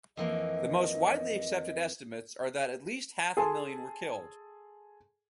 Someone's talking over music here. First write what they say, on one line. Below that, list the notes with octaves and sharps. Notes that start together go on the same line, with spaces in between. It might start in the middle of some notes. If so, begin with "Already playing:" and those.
The most widely accepted estimates are that at least half a million were killed.
F2 E3 A#3 D#5
G#4 A4 G#5 A5 C6